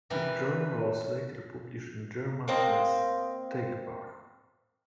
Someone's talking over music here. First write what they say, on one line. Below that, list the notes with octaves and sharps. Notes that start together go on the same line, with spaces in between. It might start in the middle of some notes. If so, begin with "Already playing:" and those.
This journal was later published in German as "Tagebuch".
E3 G3 A#4 B4
C#5
A#3 C4 D#5 A5